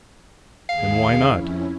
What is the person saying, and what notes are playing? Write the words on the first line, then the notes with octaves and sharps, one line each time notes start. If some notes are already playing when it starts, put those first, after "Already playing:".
And why not?
D#2 G#4 F5
F2 C#4 E4